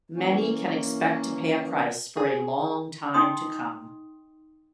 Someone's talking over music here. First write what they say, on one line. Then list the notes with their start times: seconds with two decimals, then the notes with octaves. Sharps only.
Many can expect to pay a price for a long time to come.
0.16 E3 A#3 C#4
2.17 G#4
3.14 D#4 D#5 G5 C6 D#6